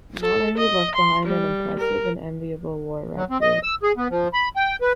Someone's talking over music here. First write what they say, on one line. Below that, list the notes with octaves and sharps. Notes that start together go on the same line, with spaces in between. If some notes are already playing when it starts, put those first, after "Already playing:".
"Monterey" left behind an impressive and enviable war record.
A4
D#5
C6
G3
A#4
F#3
C4
D#5
E6
G#4
B3
F3
B5
G5
B4